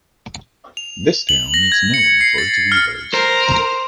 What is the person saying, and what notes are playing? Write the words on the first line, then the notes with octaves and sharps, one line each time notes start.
This town is known for its weavers.
F7
F#7
A#6
G#6
C#7
C7
A6
A6
F6
A#4 C5